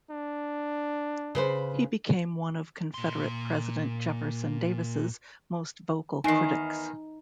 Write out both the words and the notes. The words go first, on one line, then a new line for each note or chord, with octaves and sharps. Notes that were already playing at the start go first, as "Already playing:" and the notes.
He became one of Confederate President Jefferson Davis's most vocal critics.
D4
C#3 B4 C5
A#2 C6
E2 D#3 D#4 G#5 C7